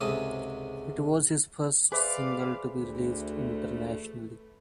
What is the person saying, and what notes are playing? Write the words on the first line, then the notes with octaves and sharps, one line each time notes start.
It was his first single to be released Internationally.
C#2 G#2 C3 C#4 A4 D#6
G#4 B4 C5 D5 E5 F5 D6
D2 A3